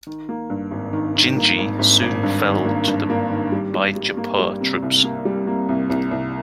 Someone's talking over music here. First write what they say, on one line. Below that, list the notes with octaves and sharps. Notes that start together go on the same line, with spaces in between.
Gingee soon fell to the Bijapur troops.
D#3
A#3
G2
G#1
D#3
D#3
A#3
G#1
G#1
G#1
G2
D#3
A#3
G2
A#3
D#3
G3
G3
G3
A#3
G3
C3
C2
A#3
G3
A#3
C2
C2
C2